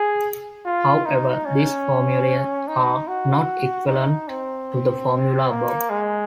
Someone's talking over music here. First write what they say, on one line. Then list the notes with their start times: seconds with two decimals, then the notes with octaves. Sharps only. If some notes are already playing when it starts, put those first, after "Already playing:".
However, these formulae are not equivalent to the formula above.
Already playing: G#4
0.66 F4
1.06 D#4
1.46 C#4
2.68 D#4
3.08 F#4
3.87 D#4
4.29 C4
5.49 A#3
5.90 G#3